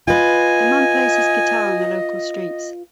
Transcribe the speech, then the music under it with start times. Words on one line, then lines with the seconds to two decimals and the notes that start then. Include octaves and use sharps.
The man plays his guitar on the local streets.
0.08 F4 B4 D#5 G#5